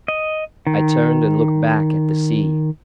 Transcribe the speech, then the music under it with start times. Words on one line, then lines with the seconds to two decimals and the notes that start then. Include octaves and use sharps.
I turned and looked back at the sea.
0.08 D#5
0.67 D#3